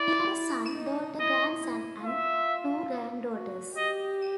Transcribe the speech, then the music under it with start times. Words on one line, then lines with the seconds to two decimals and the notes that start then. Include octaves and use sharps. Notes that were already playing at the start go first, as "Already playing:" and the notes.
He had a son, daughter, grandson and two granddaughters.
Already playing: E4 D5
0.76 D#4
1.20 E4 D#5
1.62 E4
2.05 F4 E5
3.34 F#4
3.77 G4 D#5